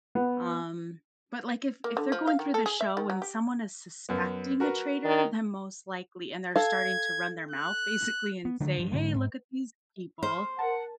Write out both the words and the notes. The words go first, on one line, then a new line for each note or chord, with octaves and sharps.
um, but like if if they're going through the show and someone is suspecting a traitor, then most likely and they're starting to run their mouth basically and say, "Hey, look at these people,"
B3
A#3
D3
F3
F5
D#3
A4
G#4
E5
D#3
F#3
G4
F#2 B3
F#4 A#4 B4
D#3
A4 F5 G#6
F#6
B3
D3 D#3 F#3 A3
G2 F3
G#2 D3 G#3
G#2
C5 F6
A#4 F#5 A5